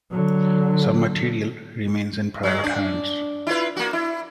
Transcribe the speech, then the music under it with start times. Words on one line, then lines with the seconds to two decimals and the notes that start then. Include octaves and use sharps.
Some material remains in private hands.
0.11 D3 F#3
2.43 F#3 G#3
2.64 D4
3.47 E4 F4 B4
3.76 A#3 F#4
3.93 E4